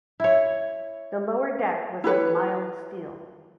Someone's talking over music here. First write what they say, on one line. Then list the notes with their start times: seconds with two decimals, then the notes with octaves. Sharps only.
The lower deck was of mild steel.
0.20 E4 C#5
2.04 E4 G4 B4 C#5